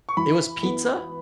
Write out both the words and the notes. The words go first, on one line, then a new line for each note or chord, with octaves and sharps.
it was pizza,
C#6
E3 B5
B3